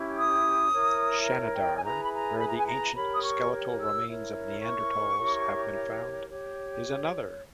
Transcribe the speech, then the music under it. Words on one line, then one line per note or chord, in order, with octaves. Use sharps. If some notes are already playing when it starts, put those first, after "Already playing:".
Shanidar, where the ancient skeletal remains of Neanderthals have been found, is another.
Already playing: C#4 E4 G4
D#6
E4 A#4 C#5
G5
G#5
E4 G#4 B4 A#5
B5
A#5
B5
A#5
G#5
A#5
G4 A#4 C#5 B5
D#6
C#6
E6
E4 A#4 C#5
C#6
E4 G4 A#4 C#5
G4 C#5